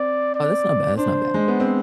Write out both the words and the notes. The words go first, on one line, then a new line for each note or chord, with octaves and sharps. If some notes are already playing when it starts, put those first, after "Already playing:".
Oh, that's not bad, that's not bad.
Already playing: C4 D5
D5
D4 C5
G#3
B3
C4